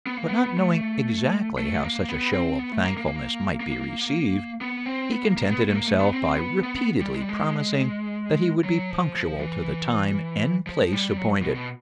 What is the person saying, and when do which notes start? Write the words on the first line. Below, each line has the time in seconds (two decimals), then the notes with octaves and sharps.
But not knowing exactly how such a show of thankfulness might be received, he contented himself by repeatedly promising that he would be punctual to the time and place appointed.
0.07 B3
0.17 A#3
0.28 B3
0.57 A3
1.58 A3
1.84 A#3
2.09 B3
2.33 C4
2.59 B3
2.72 A3
2.84 A#3
2.97 A#3
3.60 A#3
4.61 B3
4.86 C4
5.12 B3
5.24 A#3
5.37 A#3
5.49 B3
5.70 A3
5.75 A#3
5.87 A3
6.00 B3
6.13 C4
6.38 B3
6.63 B3
6.76 B3
7.01 G3
7.14 G#3
7.22 G3
7.29 G#3
8.64 F#3
8.90 F3
9.15 F3
9.41 E3
10.67 F3
10.92 G3
11.17 F#3
11.42 B2
11.55 B2